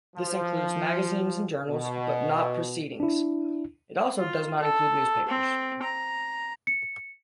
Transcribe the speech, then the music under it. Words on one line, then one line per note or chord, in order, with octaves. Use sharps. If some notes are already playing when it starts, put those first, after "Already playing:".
This includes magazines and journals, but not proceedings; it also does not include newspapers.
F3
B2
D4 E4
F4
A4
C4
A#5
C#7